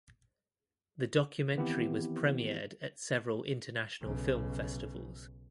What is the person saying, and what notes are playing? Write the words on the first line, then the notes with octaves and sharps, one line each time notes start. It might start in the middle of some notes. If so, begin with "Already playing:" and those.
The documentary was premiered at several international film festivals.
D#3 E3 B3 C4 E4 G4
B1 C#3